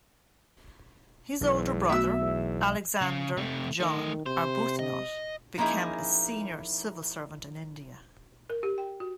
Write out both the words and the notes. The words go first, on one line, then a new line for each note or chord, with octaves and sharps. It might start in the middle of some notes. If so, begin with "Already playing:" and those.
His older brother, Alexander John Arbuthnot, became a senior civil servant in India.
B1 E2
A3 B3 F#4 E5 E6
E2
C#3
C3 A3
D#3 A3 D#5
C3 C5
D#5
F3 A#3 C#4 D#4 E4 G#4
A#4
G4
G5
F#4